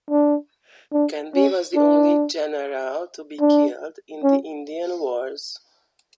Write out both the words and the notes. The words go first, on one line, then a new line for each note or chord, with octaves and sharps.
Canby was the only general to be killed in the Indian Wars.
D4
D4
C#4
D4
D4
C#4